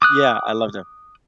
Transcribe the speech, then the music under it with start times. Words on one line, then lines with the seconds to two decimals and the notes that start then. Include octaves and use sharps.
yeah, I loved it.
0.02 D6 D#6 F#6